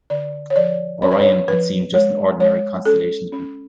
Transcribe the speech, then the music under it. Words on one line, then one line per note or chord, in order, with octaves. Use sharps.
Orion had seemed just an ordinary constellation to him.
D3 D5
C#5
F3 D5
C#4 C#5
B4
C#5
F3 B4
G#3 C#5
G#3 C#5
C#4 A4
C#4